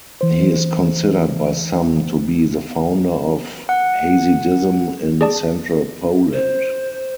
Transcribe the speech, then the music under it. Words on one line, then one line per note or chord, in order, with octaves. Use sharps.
He is considered by some to be the founder of Hasidism in central Poland.
E3 C5
F#5
G#4 D5 A5
C5